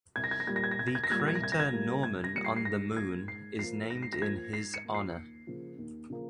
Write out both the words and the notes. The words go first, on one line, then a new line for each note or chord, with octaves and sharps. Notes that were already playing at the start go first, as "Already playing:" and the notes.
The crater Norman on the Moon is named in his honour.
C2 G#6
A#6
G#6
A#6
A#2 G3 A#3 G#6
A#6
G#6
A#6
C2 G#6
A#6
G#6
A#6
A#2 G3 A#3 G#6
A#6
G#6
A#6
C2 G#6
A#6
G#6
A#2 G3 A#3
C2 G#6
A#6
A#2 G3 A#3 C#7
C7
C7
G#2 A#6
F3 A#3 G#6
G#2 C7
F3 A#3 C7
G#2 A#6
C7
A#6
F3 A#3 G#6
G#2 C7
C#7
F3 A#3
C7
D#2
C#3 F3 A#3
D#2
C#3 F3 A#3